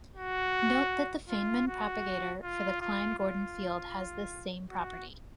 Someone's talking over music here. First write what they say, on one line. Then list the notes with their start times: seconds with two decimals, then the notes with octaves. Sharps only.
Note that the Feynman propagator for the Klein-Gordon field has this same property.
0.16 F#4
1.29 F4
1.67 F#4
2.43 F4
2.81 F4
3.19 F4
4.70 F#4